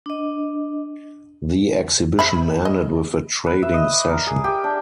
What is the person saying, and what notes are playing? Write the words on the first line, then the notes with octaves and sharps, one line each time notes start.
The exhibition ended with a trading session.
D4 D#5
C5 E5 B5
D#5
B4
E5
D#5
D5
A#4
G#4
G4
D4